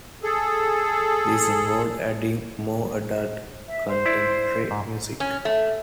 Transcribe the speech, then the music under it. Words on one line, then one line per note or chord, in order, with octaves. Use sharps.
This involved adding more adult contemporary music.
G#4 A4
E5
C5
E4 D5
G#2
C#4
A3